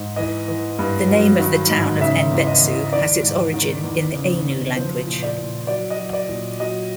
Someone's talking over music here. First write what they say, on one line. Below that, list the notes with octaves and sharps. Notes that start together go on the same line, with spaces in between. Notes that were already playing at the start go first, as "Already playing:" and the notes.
The name of the town of Enbetsu has its origin in the Ainu language.
Already playing: G#2
E3 D#5
E3
G2
F#3
D#3
G#2
C#3 E5
E2
D#5
E2
D#3 D5
G#2
D#3
E2
C#3
E2
F3 C5
A#2
D5
A#2
F#3 D5
D#5
F#3
D5
A#2
F#3 D#5